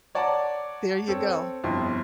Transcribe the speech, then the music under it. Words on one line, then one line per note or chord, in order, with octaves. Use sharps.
There you go.
C#5 D5 F#5 A5 A#5 D6
C4 A4 C#5
G1 F2 B2 E4 C6